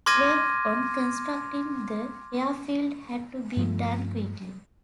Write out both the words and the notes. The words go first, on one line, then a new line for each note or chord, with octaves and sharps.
Work on constructing the airfield had to be done quickly.
C6 D6 F6 G#6 A#6 D#7
G2 F3 A3